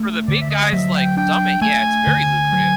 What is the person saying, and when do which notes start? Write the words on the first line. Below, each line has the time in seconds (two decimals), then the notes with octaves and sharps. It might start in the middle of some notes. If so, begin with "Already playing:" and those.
For the big guys, like Summit, yeah, it's very lucrative.
Already playing: A3 D4
0.27 D3 D5
0.41 E5
0.50 D#5
0.73 F#3 E5
0.95 G5
1.17 D4 G5
1.61 A3 G#5
2.07 D3
2.52 F#3